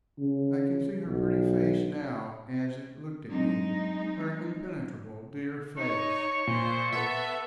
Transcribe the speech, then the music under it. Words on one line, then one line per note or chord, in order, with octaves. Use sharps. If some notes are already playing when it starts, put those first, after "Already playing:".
I can see her pretty face now as it looked at me--her impenetrable dear face.
C#3
B1
F#3 G#3 C4 D4 D#4
D#4 C#5 C#6
A#2 C5
B3 A4 E5